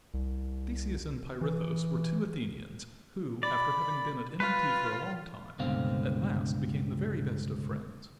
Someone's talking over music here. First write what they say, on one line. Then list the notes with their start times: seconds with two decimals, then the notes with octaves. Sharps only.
Theseus and Pirithous were two Athenians, who, after having been at enmity for a long time at last became the very best of friends.
0.14 C2
1.41 E3
3.43 D5 B5
4.40 F4 B4
5.59 C#2 G2 B2 D3 C4 F5